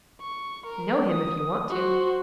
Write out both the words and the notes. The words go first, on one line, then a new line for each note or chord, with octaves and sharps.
"Know him, if you want to."
C#6
A#4
D#6
F#4 C5